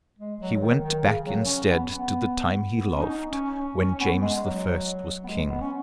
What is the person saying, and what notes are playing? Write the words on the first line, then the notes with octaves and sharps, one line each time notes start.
He went back instead to the time he loved, when James the First was King.
G#3
F#3
D#3
D#3
C#3
F#3
C#4
B3
B3
B3
C#4
D#4
C#4
C#4
C#4
C#4
B3
G#3
G#3
F#3
B3
G#3
B3
C#4